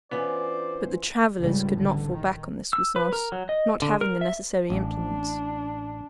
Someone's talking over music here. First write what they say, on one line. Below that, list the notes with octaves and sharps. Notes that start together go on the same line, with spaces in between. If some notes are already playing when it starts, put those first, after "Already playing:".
But the travelers could not fall back on this resource, not having the necessary implements.
E3 B3 C#4 D4 F4 C5 D5
C#2 G#2 C#3 G3
A1 D3
D#3
E6
B4
A#4
F#3
D#5
D3
A#4
E5
A1 D4